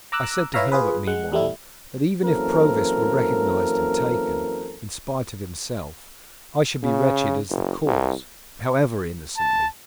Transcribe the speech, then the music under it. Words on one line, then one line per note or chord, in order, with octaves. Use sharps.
I said to Herbert, meanwhile, that even if Provis were recognized and taken, in spite of himself, I should be wretched as the cause, however innocently.
A#5 D6 E6 F#6
E4 B4 C#5 E5 F5 A#5
F4 G#4 B4
G#3 F#5
E2 G3 A3 E4
F#2 E3 A#3 C4 A4 A#4
C#3
F#1
C2
A5